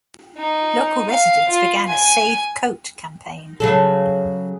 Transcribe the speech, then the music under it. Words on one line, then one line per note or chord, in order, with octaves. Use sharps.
Local residents began a "Save Coate" campaign.
D#4
F5
F4
G#5
C#3 F#3 A4